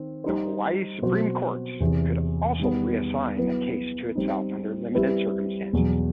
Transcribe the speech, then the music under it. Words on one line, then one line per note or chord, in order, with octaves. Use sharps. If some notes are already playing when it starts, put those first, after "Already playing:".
The Hawaii Supreme Court could also reassign a case to itself under limited circumstances.
Already playing: D#3 C4
G3 D#4 G4 C5
B2 F#3 C4 F#4 C5
E2 C3 E3
D#3 G3 B3
F#3 B3 E4 B4
G3 C4 D#4
G3 C4 E4 G4 B4
E2 B2 F#3